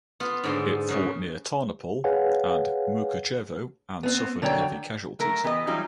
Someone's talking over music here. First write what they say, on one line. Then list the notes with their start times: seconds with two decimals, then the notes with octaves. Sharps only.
It fought near Tarnopol and Mukachevo and suffered heavy casualties.
0.20 B3 F4
0.44 G#2 D3 C6
0.89 F#2 C#3
2.04 G#4 B4 C#5 F5 F#5 G#5
4.03 B3 C4
4.42 D3 F#3 C#5 G5
5.19 F#3 A3 A#4
5.44 E3 B3 G4 A4 D#5
5.67 E3 F#3 G3 D#4 F4